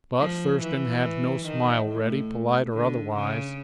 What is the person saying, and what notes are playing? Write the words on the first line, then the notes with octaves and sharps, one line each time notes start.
But Thurston had no smile ready, polite or otherwise.
F3
E3
D#3
A2
D3
C#3